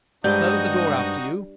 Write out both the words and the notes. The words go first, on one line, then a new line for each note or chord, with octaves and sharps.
'Close the door after you.
G2 G#3 D#4 F#4 G4 C5 D#5 G6